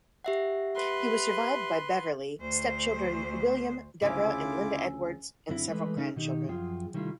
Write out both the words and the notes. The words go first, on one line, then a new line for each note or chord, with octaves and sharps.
He was survived by Beverly, stepchildren William, Deborah and Linda Edwards, and several grandchildren.
G4 E5 F#5
B4 C6
D2 C5
D2 C#3 C#4 E4 F4 G#5 D6 E6
F#2 D3 C4 E4
E3 G#3 A3 B4
C#3 A3 C#4 D#4
B2 D#3 D#4 G4
F#2 F3 F4 G#4 G5
C3 D#3 G3 A3 E4 F4